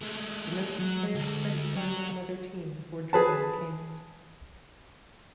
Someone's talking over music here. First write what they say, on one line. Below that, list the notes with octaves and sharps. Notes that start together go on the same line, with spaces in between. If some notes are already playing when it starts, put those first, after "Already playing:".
Denotes player spent time with another team before joining the Kings.
G#3 A3
F#3
D2
F#3
G#4 B4 A5